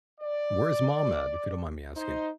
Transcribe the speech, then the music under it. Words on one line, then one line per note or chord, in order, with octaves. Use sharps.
Where's mom at? If you don't mind me asking.
D5
D#4 C5